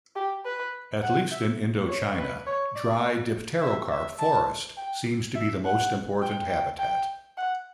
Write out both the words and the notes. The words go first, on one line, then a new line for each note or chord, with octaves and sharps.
At least in Indochina, dry dipterocarp forest seems to be the most important habitat.
G4
B4
F#5
E5
C#5
B4
C#5
D5
E5
E5
A5
G5
E5
F#5
G5
G5
G5
F#5